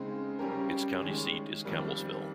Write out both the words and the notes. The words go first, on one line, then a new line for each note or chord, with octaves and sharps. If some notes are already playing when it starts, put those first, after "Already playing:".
Its county seat is Campbellsville.
Already playing: C#3 G#3 C4 D#4 G#4
C#3 G3 C#4 G4 A#4
D#3 G#3 C#4 G#4
F2 D#3 G3 A#3